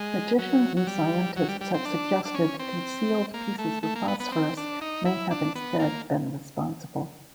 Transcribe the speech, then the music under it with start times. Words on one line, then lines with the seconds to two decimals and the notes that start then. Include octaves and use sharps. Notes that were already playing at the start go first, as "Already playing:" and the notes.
Magicians and scientists have suggested concealed pieces of phosphorus may have instead been responsible.
Already playing: G#3
0.38 F#3
0.77 F#3
0.87 G3
1.36 F#3
1.49 G3
1.61 G3
1.74 C4
1.85 D4
2.25 D4
2.34 C#4
2.59 C4
3.34 A#3
3.58 A3
3.83 A3
3.96 A#3
4.08 B3
4.20 B3
4.32 C4
4.57 D4
4.81 D#4
5.06 E4
5.31 D4
5.55 B3
5.80 A#3